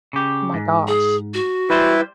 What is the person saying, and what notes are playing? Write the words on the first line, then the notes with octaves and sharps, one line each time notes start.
my gosh,
C#3 G4
G#2
G#4
F#4
G3 E4 B4 C5